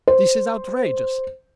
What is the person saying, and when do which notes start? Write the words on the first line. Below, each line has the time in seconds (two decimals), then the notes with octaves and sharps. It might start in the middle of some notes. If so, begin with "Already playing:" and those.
This is outrageous!
0.08 C5